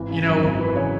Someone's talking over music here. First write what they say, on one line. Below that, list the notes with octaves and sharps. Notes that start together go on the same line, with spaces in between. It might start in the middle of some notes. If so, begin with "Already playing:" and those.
You know
Already playing: G#1 E3
C#3
F#2
G#1
E3 B4
C#3 C#5